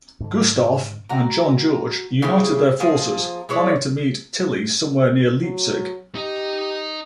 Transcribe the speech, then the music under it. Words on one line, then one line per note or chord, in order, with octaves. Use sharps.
Gustav and John George united their forces, planning to meet Tilly somewhere near Leipzig.
G#2 D3
F#4 A#5
C#3 E4 G4 G#4
F3 A#3 G#4
G#3 E4 C#5 D5
F#3
D#4 G4 D#5